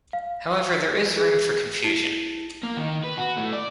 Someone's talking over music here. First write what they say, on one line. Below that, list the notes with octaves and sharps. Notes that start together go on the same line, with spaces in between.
However, there is room for confusion.
F5
G#4
E4
A#3
D#3
B4
F#4
A2 A3
D5